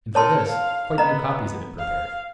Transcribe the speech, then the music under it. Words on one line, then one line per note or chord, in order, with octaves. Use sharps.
And for this, quite new copies had been prepared.
A4 A#4 C#5 A5 C6
F5
B3 D#5 A#5
F5